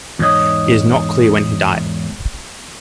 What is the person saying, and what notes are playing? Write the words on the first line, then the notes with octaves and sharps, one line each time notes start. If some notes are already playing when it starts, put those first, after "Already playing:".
It is not clear when he died.
E2 G#2 C#5 D#5